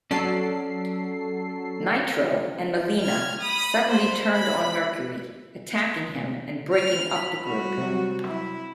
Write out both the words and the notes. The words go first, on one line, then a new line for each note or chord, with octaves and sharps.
Nitro and Melina suddenly turned on Mercury, attacking him and breaking up the group.
F#3 C#4 A4 D5 C7
F6 G#6
B5 D#6
C5 B5
B5 B6
F6
B5
G3 F#4
C3 F#3
E4